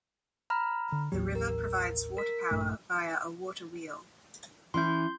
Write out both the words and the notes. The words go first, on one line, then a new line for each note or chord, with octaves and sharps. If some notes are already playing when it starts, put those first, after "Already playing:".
The river provides water power via a water wheel.
A#5 B5 F6
D3
A1 D#2 F#3 G4
A#4
A#4 B6
A#1 G2 A3
E3 C#4 E4 C6 G6